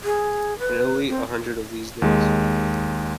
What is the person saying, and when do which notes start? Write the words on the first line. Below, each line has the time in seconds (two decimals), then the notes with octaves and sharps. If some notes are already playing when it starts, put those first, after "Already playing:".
In Italy, A hundred of these days!
0.04 G#4
0.59 B4
1.10 C4
2.02 D#2 G#3